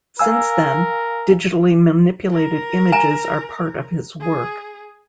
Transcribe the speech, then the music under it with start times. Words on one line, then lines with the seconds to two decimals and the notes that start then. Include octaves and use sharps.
Since then, digitally manipulated images are part of his work.
0.19 A#4 F5 G#5 E6
2.32 A#4
2.92 G#5 A#5
4.20 G#4